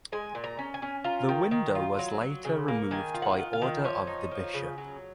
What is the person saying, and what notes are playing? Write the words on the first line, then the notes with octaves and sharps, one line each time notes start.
The window was later removed by order of the bishop.
G#3 G#5
A#2
A#5
C#4
G#5
C#4
F4 A#5
D#3
D#3
F4
F#3
F#3
C#3
A#3
D#3 G#5
F4
F#5
F4
F5
D#3
F3 C#5
D#4
F3
C#3
F#3